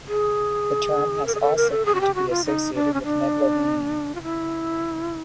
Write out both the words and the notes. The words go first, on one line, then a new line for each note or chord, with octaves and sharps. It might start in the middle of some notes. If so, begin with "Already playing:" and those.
The term has also come to be associated with megalomania.
G#4
A#4
G#4
A4
A#4
A4
G#4
F#4
G4
F#4
F4
D#4
D4
C#4
D4
F4
E4